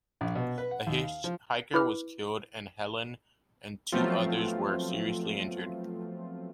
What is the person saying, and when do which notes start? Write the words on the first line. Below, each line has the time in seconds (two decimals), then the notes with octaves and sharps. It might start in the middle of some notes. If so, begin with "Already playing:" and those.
A hitchhiker was killed, and Helen and two others were seriously injured.
0.21 A#1
0.35 B2
0.58 B4
0.71 F#5
0.87 D#2
1.04 F5
1.24 F3
1.74 E4 B4 D6 F6
3.92 F3 F#3 A3 B3 C4 F4